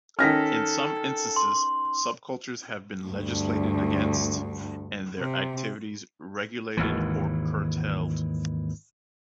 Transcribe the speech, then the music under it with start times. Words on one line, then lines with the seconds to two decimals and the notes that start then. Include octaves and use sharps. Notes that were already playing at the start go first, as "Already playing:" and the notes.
In some instances, subcultures have been legislated against, and their activities regulated or curtailed.
0.19 D#3 C#4 A4 F6 A#6 B6
1.36 C6
3.05 D2 G2
5.19 C3
6.77 G#1 D#2 E3